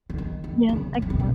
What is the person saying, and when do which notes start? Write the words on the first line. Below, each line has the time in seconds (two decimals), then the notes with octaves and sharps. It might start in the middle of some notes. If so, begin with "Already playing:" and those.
Yeah, I get that.
0.10 D3
0.18 D#3
0.44 D#3
0.69 C#3
0.94 C3
1.02 C#3
1.10 C3
1.20 B2